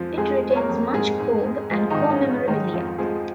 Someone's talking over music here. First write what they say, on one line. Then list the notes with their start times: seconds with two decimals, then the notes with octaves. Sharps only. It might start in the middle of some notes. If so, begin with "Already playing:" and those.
It retains much Cobb and Co memorabilia.
Already playing: F2 F3 G#3
0.17 F2 G#3 G#4
0.43 G#3
0.51 C#5
0.56 A#3 A#4
0.69 F2
0.94 G#2 G#3 G#4
1.19 G#2
1.46 G#3
1.71 F3 G#3 F4
1.90 D#3 D#4
1.96 G#2
2.10 C#4
2.22 G#2
2.29 C#4
2.47 D#3 G#3 D#4
2.73 F2 F3 F4
2.98 F3 G#3 G#4